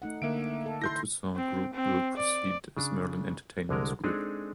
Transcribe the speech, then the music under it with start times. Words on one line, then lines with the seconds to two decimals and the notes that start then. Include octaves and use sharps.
The Tussauds Group will proceed as Merlin Entertainments Group.
0.02 A3 D#4 F#5
0.22 D3 A#3 E5 D7
0.66 A4
0.82 E4 C6 G6 A#6
1.36 C4
1.73 C4
2.17 D5
2.77 C#3 D4
3.69 C2 D3 G#3 A#4
4.04 G#3 C4 D4 D#4 G#4 A4